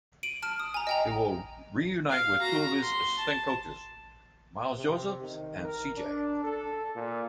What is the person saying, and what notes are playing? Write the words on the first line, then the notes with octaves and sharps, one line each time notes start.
He will reunite with two of his assistant coaches, Miles Joseph and C. J.
D7 D#7 F#7
A5 F6 D7
D#6
G#5 A#5
D#5 G5 A#5
F5
F#4 A#5
C6
A5
C3
D#3
A#4
D4
A4
A#2